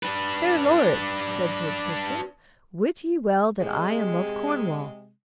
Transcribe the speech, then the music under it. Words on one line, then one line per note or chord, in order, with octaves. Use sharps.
Fair lords, said Sir Tristram, wit ye well that I am of Cornwall.
D4 B4
C3 G#3